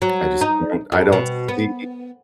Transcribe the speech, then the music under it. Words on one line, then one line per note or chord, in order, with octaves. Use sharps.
I just don't I don't see
F#3
D#4
F2
B2
B3